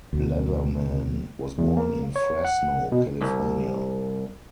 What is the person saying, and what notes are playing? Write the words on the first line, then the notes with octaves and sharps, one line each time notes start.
Letherman was born in Fresno, California.
D2 B2
E2
A#3
C#5
F#5
B2
C2